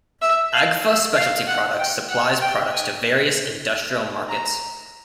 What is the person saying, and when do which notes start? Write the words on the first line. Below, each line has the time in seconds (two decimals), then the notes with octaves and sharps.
Agfa Specialty Products supplies products to various industrial markets.
0.22 E5
0.53 F5
0.84 E5
1.16 F5
1.47 F#5
1.78 G5
2.09 F#5
2.41 G5
2.72 G#5
4.28 A#5